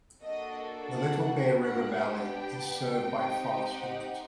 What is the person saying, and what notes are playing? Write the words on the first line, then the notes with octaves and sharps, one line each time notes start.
The Little Bear River valley is served by forest roads.
A#3 D4 F#4 A4 D#5
F#5
B3 D4 G4 F#5
G5
G5
C4 D#4 G4
F#5